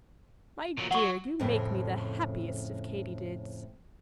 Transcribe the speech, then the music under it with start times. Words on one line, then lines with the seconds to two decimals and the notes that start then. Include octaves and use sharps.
"My dear, you make me the happiest of Katy-dids."
0.77 A#2 F#3
0.91 F#3 F#5 C#6
1.40 F2 A2 C#3 A3 C4